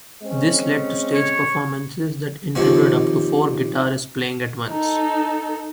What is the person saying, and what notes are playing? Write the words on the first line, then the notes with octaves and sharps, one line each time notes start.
This led to stage performances that included up to four guitarists playing at once.
G#3 C4 C#4
C#5
D#2 F3 C4
D#4 A4